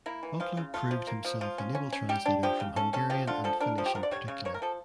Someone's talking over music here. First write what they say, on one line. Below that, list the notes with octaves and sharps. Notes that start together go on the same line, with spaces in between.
Butler proved himself an able translator from Hungarian and Finnish in particular.
A#3 E4
E3
F3 F4
C#3
A3 F4
F3
A#3
F3
F3 F4
C#4
C#4
C#4
G3 G4
D4
F3 G4
C#3
C#4 A4
C#4 A4
F3 G4
D3 F4
F3 A4
D4 A#4
F3 A4
G4
D3 A#4
D5
G3 C#5
C#3 C#5
A#3 C#5
A#4
F3 A4